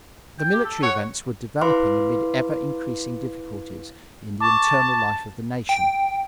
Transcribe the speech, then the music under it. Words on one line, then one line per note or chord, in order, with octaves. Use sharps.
The military events were developing amid ever increasing difficulties in the internal life of the nation.
G5
G4
A4
C#5 F#5
E4 B4 F5 B5 C6 D6
A5 C#6 D6
G5